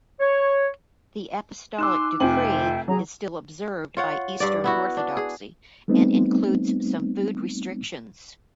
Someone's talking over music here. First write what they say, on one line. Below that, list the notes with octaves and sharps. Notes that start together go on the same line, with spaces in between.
The Apostolic Decree is still observed by Eastern Orthodoxy and includes some food restrictions.
C#5
D#4 G#5 C6 D6 E6 F#6 E7
F1 C4 F4 E5 G5 G#5 F#7
F#3 G#4 A#5
F4 C#5 F#5
G2 D5
B3 E4 F#4
D4
G#4
G3 A3 B3 C4 D#4